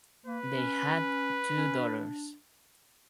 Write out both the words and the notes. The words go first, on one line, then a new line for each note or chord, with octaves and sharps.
They had two daughters.
A#3 B4
C#4
C#4
D4